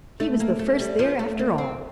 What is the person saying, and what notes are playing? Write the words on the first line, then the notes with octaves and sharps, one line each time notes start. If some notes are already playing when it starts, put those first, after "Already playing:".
He was the first there after all.
A3
A#3
A3
G3
F3
A3
A#3
C4